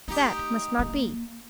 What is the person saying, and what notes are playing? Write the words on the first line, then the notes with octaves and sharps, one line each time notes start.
That must not be.
A3 D#4 G4
A#3